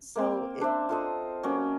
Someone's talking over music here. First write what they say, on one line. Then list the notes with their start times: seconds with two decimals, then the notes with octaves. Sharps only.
So it
0.16 A#3 C4
0.61 D4 C5 E5
0.89 F4 A4 D#5
1.43 F#3 A#3 C#4